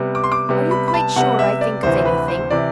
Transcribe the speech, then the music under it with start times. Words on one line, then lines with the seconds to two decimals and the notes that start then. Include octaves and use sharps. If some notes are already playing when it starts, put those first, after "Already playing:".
"Are you quite sure I think of anything?"
Already playing: C3 G3 B3
0.15 D6
0.24 C6
0.32 D6
0.49 C3 G3 B3
0.71 B5
0.88 B5
0.94 A5
1.16 C3 G3 B3 F#5
1.39 E5
1.61 D5
1.83 D2 C3 E3 C5
2.06 B4
2.28 C5
2.50 C3 E3 D5